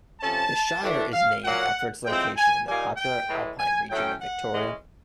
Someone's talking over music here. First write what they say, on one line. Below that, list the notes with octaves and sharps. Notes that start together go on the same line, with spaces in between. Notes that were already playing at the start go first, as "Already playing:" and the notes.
The Shire is named after its location in the popular alpine region of Victoria.
C3 F3 A3 C#4 A5
A2 E3 A3 D4
F5
A#2 F#3 A#3 C#4 F#5
A2 F3 G#3 C4 G5
G#5
A#2 G3 A#3 D#4 G#5
G5
A2 E3 G#3
G#5
A2 F#3 A3 C#4 G5
F#5
E3 G#3 C#4